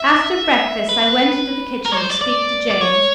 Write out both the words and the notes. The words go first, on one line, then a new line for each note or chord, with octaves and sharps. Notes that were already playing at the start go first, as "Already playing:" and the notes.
After breakfast, I went into the kitchen to speak to Jane.
Already playing: E5
B4
A#4
C#5
C5
D5
D5
D5
C#5